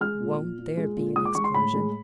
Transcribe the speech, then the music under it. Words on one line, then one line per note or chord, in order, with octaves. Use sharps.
Won't there be an explosion!
G#3 F6
A#2
A#2
A#2
G#3
A#2
G#3 D#6
D6
G#3 C#6
C6
A2 B5
G#3